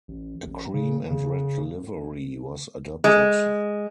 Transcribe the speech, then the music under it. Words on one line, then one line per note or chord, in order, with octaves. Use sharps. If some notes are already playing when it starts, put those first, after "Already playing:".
A cream and red livery was adopted.
A1
A1
C#3
C#3
G#3